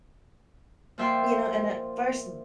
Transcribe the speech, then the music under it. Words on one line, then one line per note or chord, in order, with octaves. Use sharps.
you know, and at first
A#2 F3 E5 G5 C6